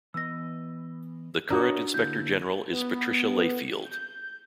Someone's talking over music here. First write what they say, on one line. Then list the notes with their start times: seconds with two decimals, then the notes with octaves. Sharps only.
The current Inspector General is Patricia Layfield.
0.14 E3 B3 D#5 E6 A#6
1.50 D4 F#4 A#4 C#5 D#5 A#5 D#6
1.94 D3 A#3 E4 G6
2.72 B3
3.84 G6